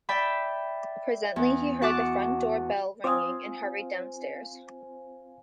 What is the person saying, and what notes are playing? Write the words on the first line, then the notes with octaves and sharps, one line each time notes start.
Presently he heard the front-door bell ringing, and hurried downstairs.
D5 E5 G5 B5
E2
F#4 F#5 A5 D6
C4 F4 C5 F5 G#5 D6 D#6